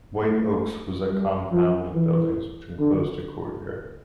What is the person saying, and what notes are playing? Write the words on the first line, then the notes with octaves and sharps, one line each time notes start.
White Oaks was a compound of buildings which enclosed a courtyard.
A3
G3
F3
E3
D3